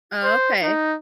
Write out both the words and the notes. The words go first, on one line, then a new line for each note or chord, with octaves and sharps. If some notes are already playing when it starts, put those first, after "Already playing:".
Oh, okay,
C5
D#4